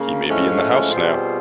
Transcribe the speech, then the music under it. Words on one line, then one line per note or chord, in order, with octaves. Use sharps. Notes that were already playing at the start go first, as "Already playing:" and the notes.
He may be in the house now!
Already playing: C#3 A#3
A2 F3 G#3 C#4 E4
B2 G3 C4 F4 G#4